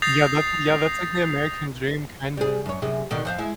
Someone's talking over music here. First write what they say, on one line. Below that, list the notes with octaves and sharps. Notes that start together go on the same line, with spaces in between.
Yeah, that's yeah, that's, like, the American dream kinda.
D#6 G6 A6 A#6 C7 F7
G3 G#4
F#2 C#5
F#2 C3 G#4
B2 D3 D#3
F2 C5 F5
G#3 E4